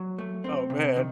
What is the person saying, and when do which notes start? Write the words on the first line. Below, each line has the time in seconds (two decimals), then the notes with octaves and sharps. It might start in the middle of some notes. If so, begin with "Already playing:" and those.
Oh, man.
Already playing: F#3
0.18 A3
0.44 C4
0.70 C3
0.96 D#3